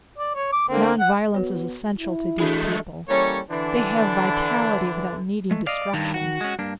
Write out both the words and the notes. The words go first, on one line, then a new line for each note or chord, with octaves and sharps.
Nonviolence is essential to these people--they have vitality without needing destruction.
D5
C#5
D6
D3 A#3 C4
F#5
B3 F#4 C#5
E4
E3 G#3 A3 D4 F#4
E3 G3 A#3 C#4 A4 C#5
D3 E3 D4
G#3 A3
D5 D#5 F5
G2 D#3
F#4
G#3 C#4
G2 A#3 D4